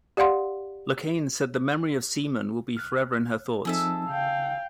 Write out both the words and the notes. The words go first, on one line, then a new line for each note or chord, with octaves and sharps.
Locane said the memory of Seeman will be forever in her thoughts.
G4 D5 F5 F#5 C6
C2 F6 F#6
F3 C4 D#4 G#4 A4 E5
C#3 F5 G5